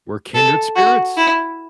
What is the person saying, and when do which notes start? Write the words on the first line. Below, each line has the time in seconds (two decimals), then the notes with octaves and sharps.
We're kindred spirits.
0.34 A4
0.76 F#4
1.17 E4